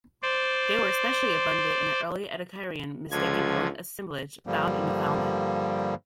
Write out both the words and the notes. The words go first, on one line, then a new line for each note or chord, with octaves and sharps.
They were especially abundant in the early Ediacaran Mistaken Point assemblage found in Newfoundland.
C5 D5
C#2 D3 F3 G#6
G2 D3 F3 G3 A#3